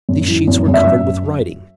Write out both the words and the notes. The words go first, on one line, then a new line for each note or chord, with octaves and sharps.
These sheets were covered with writing.
F#2
E3
F#2
F#2
E5
F#2